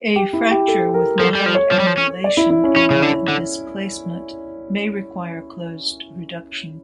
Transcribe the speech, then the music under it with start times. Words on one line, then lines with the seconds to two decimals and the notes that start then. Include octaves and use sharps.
A fracture with mild angulation and displacement may require closed reduction.
0.16 G4
0.33 E4
0.51 G4
0.68 A4
0.94 A#4
1.20 F3 A4
1.35 G3
1.46 F3
1.55 C#5
1.72 F3
1.80 G3
1.87 F3
1.98 C#4
2.24 D5
2.37 E4
2.50 E4
2.64 C#4
2.76 C#4 E4
2.91 C#3
3.02 D3
3.28 D3